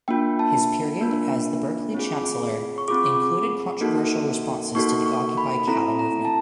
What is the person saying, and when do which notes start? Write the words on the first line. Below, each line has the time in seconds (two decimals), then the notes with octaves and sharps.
His period as the Berkeley chancellor included controversial responses to the Occupy Cal movement.
0.08 A#3 D4 F4 G5
0.39 A5
1.01 A#3 D4 F4
1.94 C4 F4 G#4
2.78 C#6
2.88 C4 F4 G#4 D6
3.81 A#3 D#4 F#4 A4
4.75 A#3 D#4 F#4 A4 C#6
5.06 C#6
5.38 B5
5.67 C4 E4 A4 A#5
5.99 A#5
6.25 A5